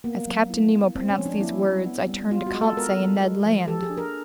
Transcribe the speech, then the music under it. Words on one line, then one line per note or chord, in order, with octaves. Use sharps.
As Captain Nemo pronounced these words, I turned to Conseil and Ned Land.
A#3 B3
F#3
E4
B3
G#3 C4
C#4
F3
D4
A#3 E4
G3
B3
G3
B3 F4
F#4
G#3
A4
B3 A#4
G#3
G#3
F3
G4 A4
G#4
D4
A#4